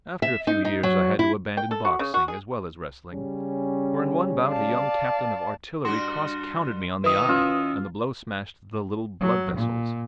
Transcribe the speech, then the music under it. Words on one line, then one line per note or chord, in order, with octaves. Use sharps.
After a few years I had to abandon boxing as well as wrestling, for in one bout a young captain of artillery cross-countered me on the eye, and the blow smashed the little blood-vessels.
E5
D#4
D#4
F#3
E4
G5
A4
F#4
C#3
F#4
G#4
C#3 G3 C#4
D5 F5 A5
G2 F#4 C6
D#3 D#4 E4 B4 D#6
C#4 F4 E6
F#3
A#2